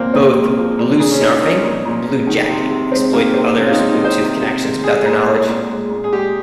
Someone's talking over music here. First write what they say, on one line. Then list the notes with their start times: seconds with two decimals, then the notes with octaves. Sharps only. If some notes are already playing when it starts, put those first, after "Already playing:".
Both Bluesnarfing and Bluejacking exploit others' Bluetooth connections without their knowledge.
Already playing: A#2 F3 A#3 C4
0.14 A#2 C4
0.35 G#3
0.57 F3
0.78 A#2
0.99 A#2 G#4
1.11 C#4
1.21 G#3 D#4
1.42 F3 C#4
1.63 A#2
1.85 A#2
2.07 G#3
2.27 D#3
2.49 C3
2.70 C3
2.91 G#3 C4
3.13 D#3 A#3
3.34 C3 C4
3.47 C4
3.56 C3 C#4
3.66 F4
3.72 D#4
3.78 G#3
3.89 D#4
3.99 D#3
4.04 C5
4.20 C3
4.42 C3
4.63 G#3
4.83 G#3 G#4
5.06 A#2
5.26 G#3
5.48 A#2
5.69 G#3
5.90 A#2
6.04 G#4
6.13 G#3 G4